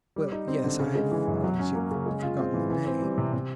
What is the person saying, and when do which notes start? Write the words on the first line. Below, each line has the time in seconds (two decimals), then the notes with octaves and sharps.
"Well, yes; I have not as yet forgotten the name."
0.16 G3
0.32 D#4
0.48 C4
0.64 D3
0.80 C#3
0.95 G#3
1.11 E3
1.27 F#2
1.44 F#3
1.59 C#4
1.75 A#3
1.91 C#3
2.06 G#3
2.22 F4
2.38 C4
2.54 E3
2.70 E3
2.86 C4
3.02 G3
3.18 C3
3.33 C3